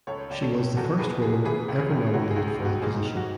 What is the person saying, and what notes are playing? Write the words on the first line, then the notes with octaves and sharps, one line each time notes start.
She was the first woman ever nominated for the position.
C#2 A4 C#5
C#2 D5
A4 C#5
B2
E2 F#4 A4
E2 G#4 B4
B2 G#4
E3 G#4 B4
C#2
G#4
C#2
G#4
C#2 F#4
G#4
C#2
G#4
B2
F#4
G#2 G#4
G#2
F#4